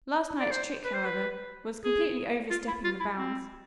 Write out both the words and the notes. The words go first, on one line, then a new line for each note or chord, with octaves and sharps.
Last night's trick, however, was completely overstepping the bounds.
D5
C5
B4
C5
B4
G#4
F4
E4
F4
E4
C4